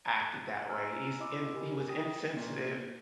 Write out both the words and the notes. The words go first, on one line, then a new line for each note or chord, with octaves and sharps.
acted that way. He's in th he was insensitive
F#6
G#5 A#5 E6 F6
E4 D#5 C6 D6 E6
G4 A#4 G#5 B5
D#4 G5 D#6 A#6
A#2